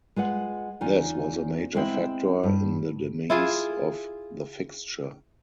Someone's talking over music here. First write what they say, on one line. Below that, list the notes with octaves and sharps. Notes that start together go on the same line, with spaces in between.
This was a major factor in the demise of the fixture.
G#3 F4 B4 F#5
E2 D#4 F4 G#5
G#3 B3 C4 E4 C5
G2
E4 F4 G#4